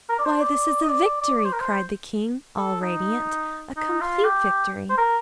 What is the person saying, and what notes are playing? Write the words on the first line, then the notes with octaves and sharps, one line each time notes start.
"Why, this is a victory!" cried the king, all radiant, "a complete victory!"
A#4
D5
C5
D5
D#5
D5
D5
D5
D5
C5
A#4
C5
A4
D#4
D#4
F4
G4
C5
A#4